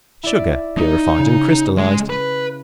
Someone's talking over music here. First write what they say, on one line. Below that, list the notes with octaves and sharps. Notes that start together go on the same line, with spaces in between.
Sugar purified and crystallized.
E4 D5
D#4
C#3
G#3
B4